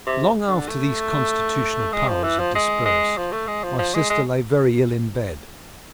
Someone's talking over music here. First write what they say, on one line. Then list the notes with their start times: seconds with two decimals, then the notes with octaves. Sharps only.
Long after these constitutional powers had dispersed, my sister lay very ill in bed.
0.06 C3
0.48 D3
0.68 A3
1.92 G#3
2.08 F3
2.23 E3
2.39 F3
2.55 G#3
2.85 G#3
3.17 F3
3.32 A3
3.47 G#3
3.63 F3
3.79 F3
3.94 G#3
4.10 G#3